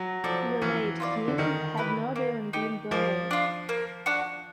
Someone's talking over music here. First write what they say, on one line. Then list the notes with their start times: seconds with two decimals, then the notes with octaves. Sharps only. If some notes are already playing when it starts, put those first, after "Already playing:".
The late king had not even been buried.
Already playing: F#3
0.24 F3 A4 D5
0.62 E3 C#4
1.00 F4 A4 D5
1.28 D3
1.38 D#3 C#4
1.77 E4 G4 B4
2.16 A#3
2.53 D#4 G4
2.91 F3 A#3
3.31 D4 F4
3.69 A#3
4.06 D4 F#4